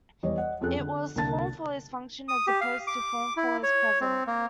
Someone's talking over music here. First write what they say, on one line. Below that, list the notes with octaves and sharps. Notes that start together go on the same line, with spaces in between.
It was "form follows function", as opposed to "form follows precedent".
E2 G3 C#5 D#5
D#5 F#5
F2 C4 C#4 G#4 A4 F#6
D3
C2 D3 A#3 A5 A6
D#6
G4
F5
D6
E4
C#5
C4
A#3